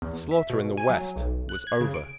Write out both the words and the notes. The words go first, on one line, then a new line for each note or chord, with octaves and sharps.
The slaughter in the West was over.
E2
E5
B2
G#5
F#3
B1
F#6
G#6
C#3
D7